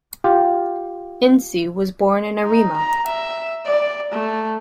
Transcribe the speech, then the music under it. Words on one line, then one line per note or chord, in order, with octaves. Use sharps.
Ince was born in Arima.
F4 G4
D#4
A#5
E5
D5
A3